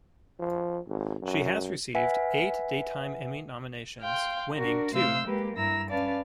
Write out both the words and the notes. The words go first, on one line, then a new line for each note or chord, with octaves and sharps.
She has received eight Daytime Emmy nominations, winning two.
F3
G#1
F#2
B4 E5 F#5 G#5 B6
F5 G5 C6
D4 F#4 A#4
C3 A3 C5 F5 E6 G6
G#3 A#3 G4 B4
G2 E4 A#5 E6
C#4 B4 D5 F5 A5